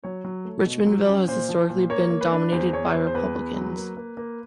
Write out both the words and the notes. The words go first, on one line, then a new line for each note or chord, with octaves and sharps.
Richmondville has historically been dominated by Republicans.
F#3 C#5
F#3
A3
B2
F#3
C#4
A#2 C5
F3
A#2
A#3 C#5
A#3
B4
D4
E2 C5
E2 C#5
E2 C5
C5
E2 B4
E2
F#3
A#3
A#3
A#3